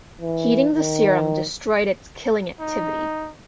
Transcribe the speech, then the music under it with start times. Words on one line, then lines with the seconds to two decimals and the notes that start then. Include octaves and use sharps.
Heating the serum destroyed its killing activity.
0.21 E3
0.76 D#3
2.60 D#4